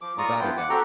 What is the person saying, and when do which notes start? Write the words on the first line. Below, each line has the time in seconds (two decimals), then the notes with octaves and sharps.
Without a doubt.
0.01 F3 D6
0.18 A2 F4 D5 A#5 C#6 D#6
0.40 G2 F3 B3 E4 F4 G5
0.57 F#5 D6
0.70 C4 F#4 G4 A4 G5 A#5